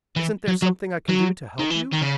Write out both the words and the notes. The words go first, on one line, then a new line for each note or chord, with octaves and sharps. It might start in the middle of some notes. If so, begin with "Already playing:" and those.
"Isn't there something I can do to help you?"
E3
F#3
F#3
F#3
D#3
E3
D#3
C#3